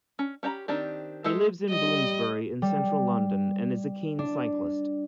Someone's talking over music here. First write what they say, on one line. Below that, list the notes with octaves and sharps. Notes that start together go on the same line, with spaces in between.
He lives in Bloomsbury in central London and is a keen cyclist.
C#4
C#4 G4 E5 A#5 B5
D#3 C4 D4 G4
G#3 G4 A4 E5
G3 D#5
G3
D4